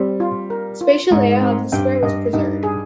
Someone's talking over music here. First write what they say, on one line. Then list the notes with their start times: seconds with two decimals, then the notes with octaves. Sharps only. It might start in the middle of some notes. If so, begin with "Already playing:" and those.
Spatial layout of the square was preserved.
Already playing: G3 C4
0.20 F4
0.50 A#4
0.81 F4
1.11 G#2 G#3
1.41 C4
1.72 G2 G5
2.03 G2 D#5
2.33 G2 D#4
2.63 G#4